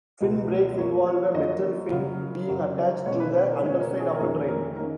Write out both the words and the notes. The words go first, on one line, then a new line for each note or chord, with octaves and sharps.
Fin brakes involve a metal fin being attached to the underside of a train.
C#2 B2 G#3
F#2 F3 A#3 C#5
C#5
F#2 F3 A#3 D#5
F#2 C#3 F#3 F5
F#2 C#3 F#3
B2 G#3 C#4 C#5
B4
B4
A#4
B2 G#3 C#4
A#4
G#4
A#4
F2 D#3 A#3 C#4 G#4
A#4
D#3 A#3 C#4 A#4